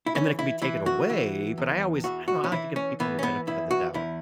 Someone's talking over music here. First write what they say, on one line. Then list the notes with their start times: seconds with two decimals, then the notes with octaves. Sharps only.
and then it can be taken away, but I always I don't know, I like to give the people the benefit of the doubt.
0.06 E4
0.15 E3 C#4
0.39 E4
0.62 E3 E4
0.86 F#4
1.10 E3
1.58 E2
2.04 E3 F#4
2.28 F#4
2.44 C#4
2.52 E3 E4
2.76 C#4
3.00 E3 B3
3.19 C#4
3.23 B3
3.47 E2 E4
3.71 F#4
3.94 E2 E4